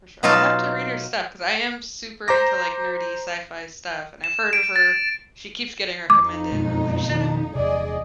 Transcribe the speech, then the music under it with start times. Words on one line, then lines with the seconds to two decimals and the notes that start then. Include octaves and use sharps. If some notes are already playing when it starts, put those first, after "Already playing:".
For sure, I'll have to read her stuff 'cause I am super into, like, nerdy sci-fi stuff, and I've heard of her, she keeps getting recommended, and I'm like, "Should I?"
0.23 B2 F#3 D#4 F4 F5 A5
2.28 C5 A#5 D6 A#6
4.24 E7
4.53 D7
4.76 A6
6.10 F2 D#4 D6
6.51 F#2 B2 G#3
7.08 B2 D#3 A#3
7.55 E2 C3 G#4 D5 D#5